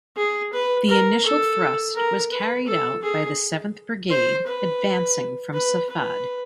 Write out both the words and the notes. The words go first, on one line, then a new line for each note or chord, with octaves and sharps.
The initial thrust was carried out by the Seventh Brigade advancing from Safad.
G#4
B4
A#4
A4
A#4
B4
A4
G#4
C5
B4
B4
B4